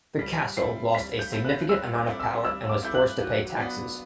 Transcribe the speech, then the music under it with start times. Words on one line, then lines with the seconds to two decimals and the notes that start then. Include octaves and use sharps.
The castle lost a significant amount of power and was forced to pay taxes.
0.19 G3 B6
0.57 C4 E4 A4 C7
0.94 G3 B6
1.19 G6
1.32 C4 E4 A4
1.45 F#6
1.69 G3 E6
1.95 D6
2.07 C4 E4 A4
2.20 E6
2.45 G3 E6
2.69 D6
2.83 C4 E4 A4 G6
2.95 F#6
3.20 F#3
3.57 B3 D4